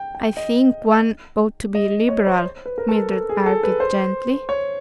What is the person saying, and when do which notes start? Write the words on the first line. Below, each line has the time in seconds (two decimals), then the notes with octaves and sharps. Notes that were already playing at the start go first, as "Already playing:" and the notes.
"I think one ought to be liberal," Mildred argued gently.
Already playing: G5
0.15 G5
0.37 D#5
1.75 D#5
2.09 C#5
2.27 C5
2.66 B4
2.78 A#4
2.88 A4
3.12 A4
3.29 G#4
3.46 A4
3.63 B4
3.80 C5
4.49 C#5